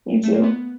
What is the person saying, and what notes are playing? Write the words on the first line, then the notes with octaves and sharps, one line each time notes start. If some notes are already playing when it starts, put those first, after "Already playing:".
You too.
A3
A#3
B3